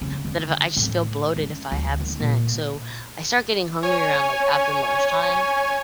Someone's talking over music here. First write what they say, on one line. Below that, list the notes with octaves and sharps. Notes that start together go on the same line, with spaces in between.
but then if I just feel bloated if I have a snack. So, I start getting hungry around, like, after lunchtime,
C#3
D3
A2
C#4
D2
D#2
A#2
C#5 G#5